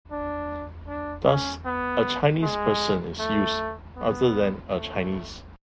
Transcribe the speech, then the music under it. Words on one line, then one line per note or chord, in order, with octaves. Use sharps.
Thus, "a Chinese person" is used rather than "a Chinese".
D4
D4
C#4
B3
G#3
A3
B3
A3